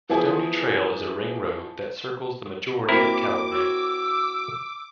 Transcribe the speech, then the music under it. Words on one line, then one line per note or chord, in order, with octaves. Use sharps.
Stoney Trail is a ring road that circles the majority of Calgary.
E3 F3 B3 E4 G#4
A#3 C4 E4 F#4 A#4 D6
F#4 C#5 E6